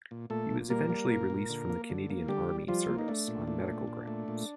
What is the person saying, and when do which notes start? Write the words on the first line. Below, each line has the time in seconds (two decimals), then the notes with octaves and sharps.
He was eventually released from the Canadian army service on medical grounds.
0.11 A#2
0.30 A#2 A3 A4
0.50 A#2
0.70 G3 A#3 A#4
0.90 A#3
1.10 A#2
1.30 A#2
1.49 D3
1.70 A#3
1.90 D3
2.10 A#3
2.28 D3 G3 G4
2.49 G3
2.68 F3 G3 F4
2.88 A#3
2.99 D#4
3.08 A3 D4
3.28 A#2
3.48 A3
3.68 A#2
3.87 A#2
4.07 A3
4.28 A#2